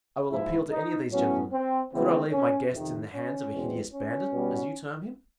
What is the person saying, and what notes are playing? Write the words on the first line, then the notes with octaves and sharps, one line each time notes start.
I will appeal to any of these gentlemen, could I leave my guest in the hands of a hideous bandit, as you term him?
G#2 F3 A#3 E4
D#4
A2 F#3 B3 C#4
C4
C#3 E3 G#3 B3 C4
C#4
F2 C3 D#3
C#4
E2 B2 G#3 C4
C#4
B2 G3 B3